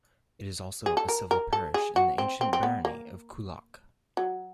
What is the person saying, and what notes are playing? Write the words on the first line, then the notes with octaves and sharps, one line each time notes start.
It is also a civil parish in the ancient barony of Coolock.
G#4
A4
A#4
A#4
A4
G#4
F#4
C4
C4
C4
B3
A#3
F#3